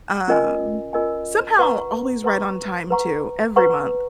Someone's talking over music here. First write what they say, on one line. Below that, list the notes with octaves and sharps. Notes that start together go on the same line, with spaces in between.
um, somehow always right on time too every month.
C#4 F4 A#4 D#5 G#5
C#4 F4 A#4 D#5 G#5
B4 F#5 A#5 C#6
B4 F#5 A#5 C#6
B4 F#5 A#5 C#6
B4 F#5 A#5 C#6